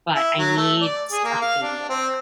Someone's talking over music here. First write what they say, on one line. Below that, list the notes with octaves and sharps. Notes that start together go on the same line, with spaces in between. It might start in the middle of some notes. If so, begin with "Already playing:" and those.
but I need something more,
E4
F#3
A3
D5
G#4
A#3
F5
D4
C4